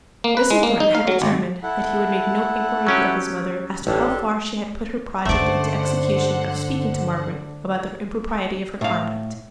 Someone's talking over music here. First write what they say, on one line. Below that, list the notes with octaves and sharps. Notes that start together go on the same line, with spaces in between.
Mr. Thornton had determined that he would make no inquiry of his mother as to how far she had put her project into execution of speaking to Margaret about the impropriety of her conduct.
A#3
B4
G#3
A#3
D#4
F5
F#3
G#1
E4 A4 F#5
F#3 C#4 G4
A1 D4 G4 A4
G2 D3 A3 C#4 C5 D5 F#5
A2 F5